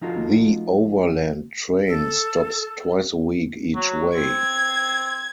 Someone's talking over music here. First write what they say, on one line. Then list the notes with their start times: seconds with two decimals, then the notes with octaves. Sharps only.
"The Overland" train stops twice a week each way.
0.01 F3 D#4 F4 F#4 A4
1.88 A4
3.75 F#3
4.15 C4 G#6